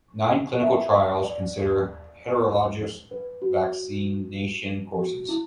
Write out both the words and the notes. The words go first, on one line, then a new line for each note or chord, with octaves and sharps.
Nine clinical trials consider heterologous vaccination courses.
E5
D5
B4
F#4
F#4
E4